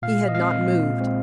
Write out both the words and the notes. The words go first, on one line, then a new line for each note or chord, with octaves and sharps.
He had not moved.
A#2 F5
D#5
G#3 C4 F5
A#2
G#3 C4